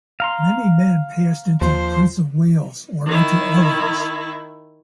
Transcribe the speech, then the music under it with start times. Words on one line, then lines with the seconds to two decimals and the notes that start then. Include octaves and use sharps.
Many men passed into the Prince of Wales or into Ellen’s.
0.20 F5 A#5 C6
1.61 D#2 F3 C5
3.06 D#3 E4